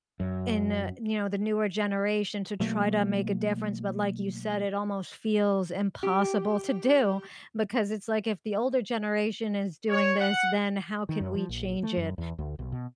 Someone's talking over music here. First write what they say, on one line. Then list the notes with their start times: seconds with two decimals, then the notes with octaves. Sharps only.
in, uh, you know, the newer generation to try to make a difference, but like you said, it almost feels impossible to do because it's like if the older generation is doing this, then how can we change it?
0.20 F#2
2.60 B2 F#3 A3 A#3
6.03 G4
9.89 C#5
10.20 F#5
11.09 D#3
11.21 F#2
11.35 F3
11.49 A#1
11.83 A3
11.97 F#2
12.18 E2
12.38 D2
12.59 B1
12.72 B2